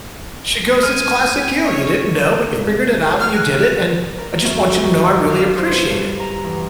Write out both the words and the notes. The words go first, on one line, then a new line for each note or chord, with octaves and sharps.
She goes, it's classic you. You didn't know, but you figured it out and you did it, and I just want you to know I really appreciate it.
G#5 F6
C#5
C2 G#2
F6
F#6
A#4
F#2
F#3
B3
D#3
D6
F5
C5
B4
G2
A#5
E2